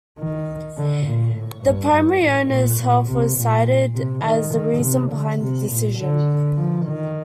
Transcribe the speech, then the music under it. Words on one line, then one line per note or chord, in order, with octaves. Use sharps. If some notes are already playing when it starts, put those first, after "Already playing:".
The primary owners health was cited as the reason behind the decision.
D#3
D3
A#2
A2
G2
G2
A2
A#2
A#2
C3
A#2
C3
D#3
D#3
C3
D3
C3
A#2
D3
F3
D#3